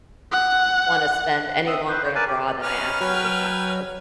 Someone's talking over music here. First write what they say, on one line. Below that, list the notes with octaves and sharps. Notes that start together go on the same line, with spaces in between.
wanna spend any longer in a bra than I absolutely have to.
F#5
C4 E5 D#6
B4 C5
C5 C#5
A#4 B4 D5 G#5 A5
G4
C#4 D#4 B4 F6
F#3 B4 G5 G#5